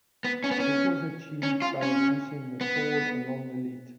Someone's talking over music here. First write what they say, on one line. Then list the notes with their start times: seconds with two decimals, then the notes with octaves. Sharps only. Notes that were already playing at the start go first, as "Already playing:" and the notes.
This was achieved by reducing the fall along the leat.
0.24 B3
0.44 C#4
0.51 B3
0.60 C#4
1.43 C#4
1.62 F4
1.82 C#4
2.61 B3